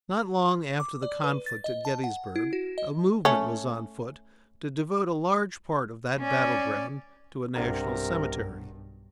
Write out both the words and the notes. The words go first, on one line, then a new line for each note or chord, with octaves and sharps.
Not long after the conflict at Gettysburg a movement was on foot to devote a large part of that battle-ground to a national cemetery.
D6
D5
B4
A6
D#5
A5
F#5
E4
F#4
D#5
A3 C#4
C#4 D5
B1 G2 C3 D4 A#4 F#5 A#5